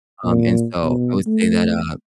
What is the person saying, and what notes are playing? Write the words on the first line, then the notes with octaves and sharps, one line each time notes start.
um, and so I would say that, uh
A#2
B2
A3